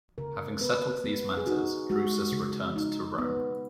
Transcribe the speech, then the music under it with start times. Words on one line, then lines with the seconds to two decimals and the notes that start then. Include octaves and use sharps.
Having settled these matters, Drusus returned to Rome.
0.18 C#3 A#4
0.60 B3 B4
1.04 B3
1.37 G#4
1.47 D#4 F#4
1.90 G#3 F#4
2.32 C#3
2.76 D#4
3.18 B3